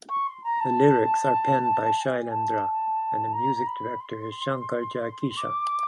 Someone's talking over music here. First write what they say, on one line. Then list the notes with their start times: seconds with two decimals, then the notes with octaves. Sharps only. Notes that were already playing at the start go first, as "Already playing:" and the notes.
The lyrics are penned by Shailendra and the music director is Shankar Jaikishan.
0.09 C#6
0.27 C6
0.44 A#5
0.60 A5
1.96 A5
2.00 G#5
2.31 A5
3.32 A#5
3.56 A#5
3.67 B5
4.01 C6
5.37 D6